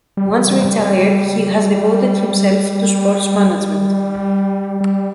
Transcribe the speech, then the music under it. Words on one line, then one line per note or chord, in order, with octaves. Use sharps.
Once retired, he has devoted himself to sports management.
G3
G3
G3